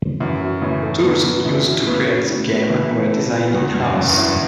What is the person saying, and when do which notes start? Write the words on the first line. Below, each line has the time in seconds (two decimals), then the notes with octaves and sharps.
Tools used to create the game were designed in-house.
0.20 F#2 E3
0.41 F#4
0.61 A2 C#3 E3
0.83 A4
1.03 B2 D3 B3
1.24 B3
1.45 B2 D3 E3
1.66 F#4
1.87 A2 C#3 B3
2.08 F#4
2.28 F#4
2.50 B3
2.70 E3
2.91 B3
3.12 A4
3.33 B3
3.54 E2 F#3
3.75 F#3
3.82 F#2
3.96 F#3
4.09 E2 G2
4.17 E4